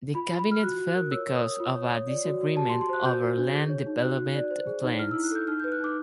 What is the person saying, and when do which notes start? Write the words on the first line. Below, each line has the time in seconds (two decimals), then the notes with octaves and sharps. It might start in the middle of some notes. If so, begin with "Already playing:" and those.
The cabinet fell because of a disagreement over land development plans.
0.15 F4 B5
0.31 F4
0.39 B5
0.47 F4 F6
0.63 F#4 F#6
0.79 F#4
0.88 F#6
0.95 A#4
1.11 C#5 E6
1.28 C#5
1.36 D#6
1.44 C#5
1.60 F4
1.76 C#5
1.92 C#5
2.08 D5
2.24 F#4
2.41 F#4
2.57 G4 A5
2.69 C6
2.72 G4
2.81 C6
2.89 C5 F#6
3.05 F#4 G6
3.21 F#4
3.38 D4
3.53 G#4
3.70 C#5
3.86 D#4
4.02 F#4 F#6
4.18 F#4
4.35 D5
4.51 C5
4.67 G#4
4.83 D#4
4.99 E4 F6
5.11 E6
5.15 E4
5.24 F#6
5.31 A4 G6
5.47 D#4 F6
5.60 G6
5.64 B4
5.72 F#6
5.80 D#4 D6